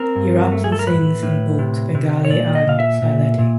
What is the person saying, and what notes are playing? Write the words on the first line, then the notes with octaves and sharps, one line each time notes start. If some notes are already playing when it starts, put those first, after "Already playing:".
He raps and sings in both Bengali and Sylheti.
Already playing: C4 A#4
G2
A3
G#4
A4
A#4
A2 B4
A2
C3
C3
C#5
A#2 D5
D#5
A#2 F5
E5
A#2
A#2